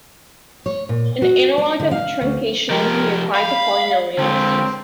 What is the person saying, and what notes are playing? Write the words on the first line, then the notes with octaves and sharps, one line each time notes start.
An analogue of truncation can be applied to polynomials.
C#5
A#2
F#4
D4
D3
F5
D2
F3 G4 A#4
F5 B5
D3 G#3 C4